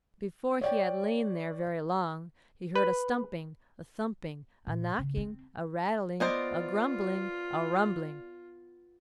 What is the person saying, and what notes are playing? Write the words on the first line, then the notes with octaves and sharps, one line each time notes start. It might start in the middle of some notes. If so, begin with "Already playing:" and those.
Before he had lain there very long he heard a stumping, a thumping, a knocking, a rattling, a grumbling, a rumbling.
C#5 D5 G5
B4
A#2
C#3
C4
B3 F4 C5 D5 D#5 G#5